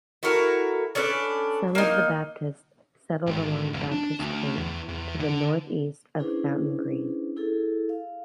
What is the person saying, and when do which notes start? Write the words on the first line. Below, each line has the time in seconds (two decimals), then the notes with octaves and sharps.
Some of the Baptists settled along Baptist Creek to the northeast of Fountain Green.
0.23 E4 F#4 A4 A#4
0.95 C#4 D4 A4 B4
1.75 A#3 D#4
3.27 G#1
3.73 F1
3.91 D4
4.19 D2
4.58 E2
4.89 E2
5.19 D3
6.18 C#4 D4 E4 G#4 B4 C5
7.36 E4 G#4 A4
7.89 F5